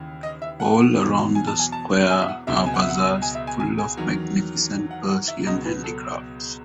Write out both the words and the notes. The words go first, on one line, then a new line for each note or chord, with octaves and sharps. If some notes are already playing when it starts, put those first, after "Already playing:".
All around the square are bazaars full of magnificent Persian handicrafts.
Already playing: D#2 C#3 E3
D#5
E5
F#5
E2 B2 F#3
G#5
A5
G#5
A5
G#5
E5
F#5
C#2 B2 F#3 E5
G#5
F#5
E5
F#5
G#5
E5
G#5
G#5
G#5
E2 D#3 F#3
F#5
F#5
E5
C#2 B2 F#3 D#5
B4
A4